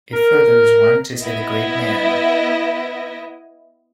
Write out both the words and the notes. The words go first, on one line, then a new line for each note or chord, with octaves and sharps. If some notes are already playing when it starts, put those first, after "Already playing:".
It furthers one to see the great man.
A#4
B3 E4 D#5